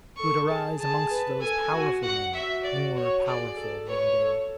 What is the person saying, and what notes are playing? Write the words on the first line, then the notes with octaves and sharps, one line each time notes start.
He would arise amongst those powerful men, more powerful than they.
A4 C#6
G#4 A5
G#4 A5
B4
A4 G#5
F#4
F#5
F#4 E5
D5
C#5
G#4 D5
A4
B4 C#5
A4